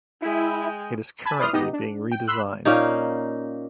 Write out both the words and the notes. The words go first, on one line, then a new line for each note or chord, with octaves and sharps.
It is currently being redesigned.
G#3 E4 G5
G#5 A5 B5
E4 B4 D5 C6 D#6 F6
B3 D#4 G4 D#5
D4
G5
B5 C6 E6 F#6
A#2 A#3 C#4 D#4